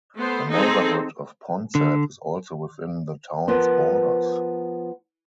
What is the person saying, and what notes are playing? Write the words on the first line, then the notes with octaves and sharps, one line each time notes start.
The neighborhood of Ponset is also within the town's borders.
A3 B3 C5
C4 D#4 G#4 A4
D3
F3 B3 A#4 C5